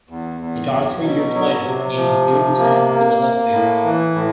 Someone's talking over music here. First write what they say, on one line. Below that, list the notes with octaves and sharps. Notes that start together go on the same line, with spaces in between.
He died three years later in Germantown, Philadelphia.
E2
E2
F#3
B2
F#3
C3
F3
C3
A#3
A#3
A#3
A2
E3
A2